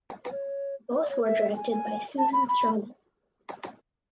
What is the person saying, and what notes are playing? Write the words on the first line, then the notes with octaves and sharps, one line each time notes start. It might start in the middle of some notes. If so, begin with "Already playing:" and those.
Both were directed by Susan Stroman.
B4
C#5
B4
D5
C#5
E5
G#5
G#5
A5
B5
B5